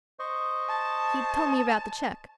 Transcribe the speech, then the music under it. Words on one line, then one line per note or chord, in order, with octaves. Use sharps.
He told me about the cheque.
C5 D#5 C#6
A5